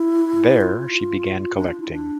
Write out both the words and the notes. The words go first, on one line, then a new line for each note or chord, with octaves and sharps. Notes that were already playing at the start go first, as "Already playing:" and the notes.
There, she began collecting.
Already playing: E4
F4
D4
F4
E4
D4